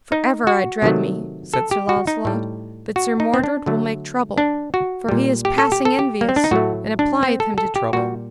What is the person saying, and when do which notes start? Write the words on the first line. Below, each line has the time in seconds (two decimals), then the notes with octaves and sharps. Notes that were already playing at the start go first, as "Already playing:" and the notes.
For ever I dread me, said Sir Launcelot, that Sir Mordred will make trouble, for he is passing envious and applieth him to trouble.
0.12 D#4
0.47 F#4
0.82 C3 D#3 F#3 A3
1.54 A4
1.71 G4
1.89 F#4
2.07 D#4
2.25 A2 G3
2.96 F#4
3.20 D#4
3.34 C4
3.44 D4
3.66 D3 F#3 A3
4.38 D4
4.74 F#4
5.09 A#2 G3
5.45 G4
5.58 A4
5.72 G4
5.85 A4
5.99 G4
6.21 A#3
6.29 C4
6.36 D4
6.44 D#4
6.51 A2 F#3 A3 F#4
6.99 D4
7.23 C4
7.40 A4
7.58 A4
7.76 G4
7.93 A#2 G3 F#4